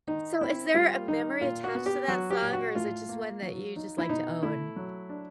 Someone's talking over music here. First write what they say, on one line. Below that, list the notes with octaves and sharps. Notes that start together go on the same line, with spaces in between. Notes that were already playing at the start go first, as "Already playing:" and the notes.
So, is there a memory attached to that song, or is it just one that you just like to own?
D#3 D#4
C4 E4
G3 F4
D#3 D#4
A#2 F4
F#4
B3
G4
F#3 F#4
G4
A#2
F#4
A2 F4
A#3
F#3
D#4
E4
B2 D#4
A3 E4
F#3
D4